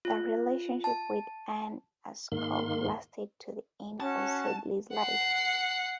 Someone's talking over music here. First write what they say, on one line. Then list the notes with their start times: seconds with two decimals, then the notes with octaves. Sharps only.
The relationship with Ann Ayscough lasted to the end of Sedley's life.
0.05 F4
0.84 A5
2.32 G#2 D#3 A#3 C6
4.00 C#4 F#4 A5
4.94 F#5 C7